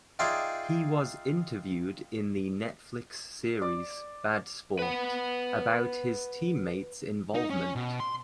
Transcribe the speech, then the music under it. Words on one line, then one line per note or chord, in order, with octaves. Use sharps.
He was interviewed in the Netflix series "Bad Sport" about his teammates involvement.
D#4 F4 G#4 D5 E5 G5
D5
B4 F#5
D#4
C#4
B2
C6